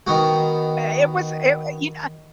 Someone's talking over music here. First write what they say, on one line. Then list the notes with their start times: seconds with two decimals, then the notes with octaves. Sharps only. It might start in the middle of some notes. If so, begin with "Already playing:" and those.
Eh it was i you kn
0.07 D#3 B3 F#4